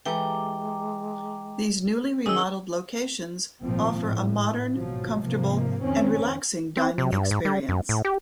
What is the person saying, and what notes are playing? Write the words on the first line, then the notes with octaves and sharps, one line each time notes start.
These newly remodeled locations offer a modern, comfortable, and relaxing dining experience.
E3 G#3 G4 A4 G5 A#5 D6
D#3 C#4 G#4 G#5 D#6 E6
G#1 A#2 F3 C4
A2
G#1 B2 F3 F#3
G#2 C3 F3 A#3
F2 D#3 C4 C#4
C4
C3
G2
G#2
G3
F#2
A2
G4